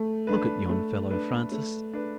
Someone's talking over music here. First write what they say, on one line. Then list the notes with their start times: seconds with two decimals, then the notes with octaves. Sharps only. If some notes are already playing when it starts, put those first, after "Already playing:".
Look at yon fellow, Francis!
Already playing: A3
0.27 D4 B4
0.69 A3
1.11 D4 B4
1.52 A3
1.93 D4 B4